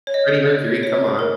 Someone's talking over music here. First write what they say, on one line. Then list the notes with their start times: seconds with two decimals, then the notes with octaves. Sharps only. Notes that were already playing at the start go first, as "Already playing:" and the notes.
Freddie Mercury, come on.
0.07 C#5
0.14 D#5
0.83 C#5
1.19 A#4